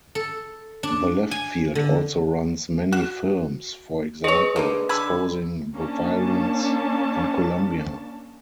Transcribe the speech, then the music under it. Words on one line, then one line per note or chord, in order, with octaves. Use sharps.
The Left Field also runs many films, for example exposing the violence in Colombia.
A4
D4
G#5
D3
F#4
G#4 B4 C#5 D#5
D3 A#3 D#4
D3 B5 E6 G#6
A#3 C#4 D4 A5